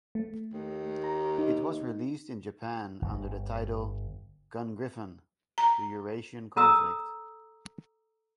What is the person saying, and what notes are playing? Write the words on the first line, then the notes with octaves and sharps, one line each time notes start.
It was released in Japan under the title "Gungriffon: The Eurasian Conflict".
A3
D#2
A#5
D#4
G1
A#5
A4 A#5 D#6 E6